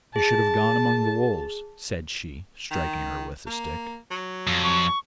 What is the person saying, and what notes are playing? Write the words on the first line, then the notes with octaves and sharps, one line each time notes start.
'You should have gone among the wolves,' said she, striking her with a stick.
G#4 A5
D#3
A#3
F#3
F2
C#6